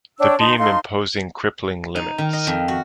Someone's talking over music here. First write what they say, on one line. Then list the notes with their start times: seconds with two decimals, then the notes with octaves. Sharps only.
The beam imposing crippling limits.
0.19 D4 C#5 G5 E6
0.39 D#4 A5 C6
0.58 D#4 A4 F5 C6
1.95 D#4
2.18 D#3
2.33 D#5
2.47 F2
2.68 F#4